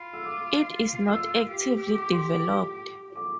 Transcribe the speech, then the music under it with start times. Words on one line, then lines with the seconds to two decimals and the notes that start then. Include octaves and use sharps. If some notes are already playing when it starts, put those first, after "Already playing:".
It is not actively developed.
Already playing: F4 B5
0.13 E6
0.25 D6
1.08 F4 E6
1.50 G4
1.91 D6
2.12 C6
2.33 D6
3.15 D6